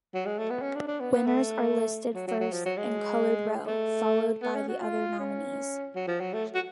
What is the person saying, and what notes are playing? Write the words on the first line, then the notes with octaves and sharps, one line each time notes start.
Winners are listed first in colored row, followed by the other nominees.
F#3
G#3
A3
B3
C#4
D4
D4
B3
B3
A3
F#3
F#3
F#3
F3
F#3
G#3
A3
B3
C#4
F#4
F4
C#4
F#3
F3
F#3
A3
F#4